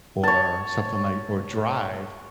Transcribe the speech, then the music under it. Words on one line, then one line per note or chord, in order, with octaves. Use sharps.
or something like or drive
C#5 A5